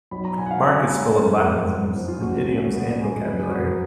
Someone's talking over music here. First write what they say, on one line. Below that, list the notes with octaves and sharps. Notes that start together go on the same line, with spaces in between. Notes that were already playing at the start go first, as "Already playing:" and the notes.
Mark is full of Latinisms, in idioms and vocabulary.
B1 B5
A#5
B2 G#5
F#5
F5
C#4 C#5
G#3
F#1 A#4
F2
B3
F3
F4
C#2 F#4
C#3
B3
G#3
F#1 B4
G#4
F#4
F2 G#4
A#4